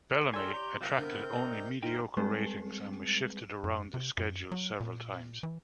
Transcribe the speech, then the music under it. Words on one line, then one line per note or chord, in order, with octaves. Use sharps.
"Bellamy" attracted only mediocre ratings and was shifted around the schedules several times.
G4 A4 A#4 C#5 D5 G#5 C6 E6
G4 A#5 G6
C3 F#3 C4 A#4 F5 D6 G6
D3 B3 A#4
D5 D#5 A#5
D2 D#4 F4 A#4 C5 G5
G3 G#3 C4 G#4 B4
F#2
C3
F#2
F#3
A#2
E3